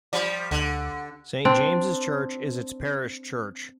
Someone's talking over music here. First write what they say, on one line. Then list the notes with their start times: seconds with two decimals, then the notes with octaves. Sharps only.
Saint James' Church is its parish church.
0.13 F3 G3 D5
0.51 D2 D3
1.45 C4 D4